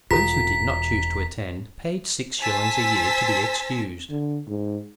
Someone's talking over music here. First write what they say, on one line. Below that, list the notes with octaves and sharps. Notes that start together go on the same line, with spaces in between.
Those who did not choose to attend paid six shillings a year to be excused.
E1 F4 A4 A#5 B6
C5 G#5 A5 E6 A6 B6
D3
G#2